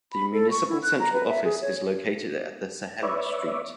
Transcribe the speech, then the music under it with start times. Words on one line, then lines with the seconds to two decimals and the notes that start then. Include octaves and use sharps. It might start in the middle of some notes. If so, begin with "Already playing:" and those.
The Municipal central office is located at the Saheli Street.
0.13 B5
0.33 A4
0.51 C#6
0.69 E4
0.83 F#6
1.00 A#5
1.13 B4
1.29 E5
1.44 G#4
1.62 C#5
3.03 B4 C#5 D5 E5